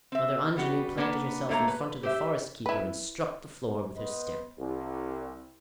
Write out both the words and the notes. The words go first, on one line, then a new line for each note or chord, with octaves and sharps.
Mother Angenoux planted herself in front of the forest-keeper and struck the floor with her stick.
C4 E5
G3 B3 F#4
A#3 B3 D4 B4
D3 A3 A#3 C#5 A#5
B4
G4 C5 E5
E4 B4
B3 B4 C5 D#5
C2